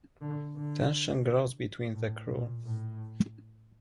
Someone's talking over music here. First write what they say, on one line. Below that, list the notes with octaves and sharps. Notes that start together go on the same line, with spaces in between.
Tension grows between the crew.
D3
D3
A2
A#2
A2